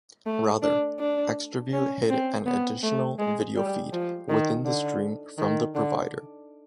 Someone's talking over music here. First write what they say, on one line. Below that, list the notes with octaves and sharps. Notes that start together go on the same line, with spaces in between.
Rather, Xtraview hid an additional video feed within the stream from the provider.
A3
D4
D4
C#4
C4
B3
A3
G#3
G3
F3
D#3
D3
D#3
D3